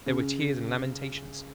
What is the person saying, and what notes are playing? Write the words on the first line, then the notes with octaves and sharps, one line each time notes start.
There were tears and lamentations.
C#3